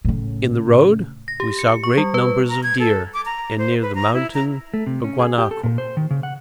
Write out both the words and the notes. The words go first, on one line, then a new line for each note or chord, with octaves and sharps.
In the road we saw great numbers of deer, and near the mountain a guanaco.
A2 C#3
A#6
G4
C#7
C#6
G3
B4
A#5
G#6
A4
D6
A#5
C5
B4
A#5
E4
A#5
A3
C3
C#4
G#4
G4
A4
A#2
C5
D#3
C#3
F#5